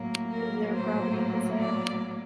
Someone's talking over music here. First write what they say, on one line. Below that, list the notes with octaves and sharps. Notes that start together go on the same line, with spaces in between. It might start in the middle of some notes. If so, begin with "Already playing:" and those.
Is there a property for sale?
Already playing: A2 F#3 A#3
A#4
C5
D5